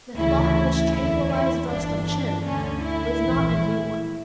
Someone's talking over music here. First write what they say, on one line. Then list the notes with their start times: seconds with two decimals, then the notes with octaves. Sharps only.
The thought which tranquillized Rostopchin was not a new one.
0.16 D2 C#3 E3 E4
0.93 E2 D3 E4
1.30 E4
1.68 G1 G2 E3 D4
2.06 D4
2.44 D2 D3 C#4
2.82 E4
3.20 A#1 A2 E3